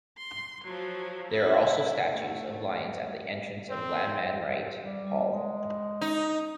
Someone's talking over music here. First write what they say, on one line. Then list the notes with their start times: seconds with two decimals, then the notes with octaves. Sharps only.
There are also statues of lions at the entrance to Lanman-Wright Hall.
0.17 C6
0.64 F3 F#3
1.32 E4
2.11 A3
3.70 C4
4.82 G3
5.32 G#3
6.01 D#4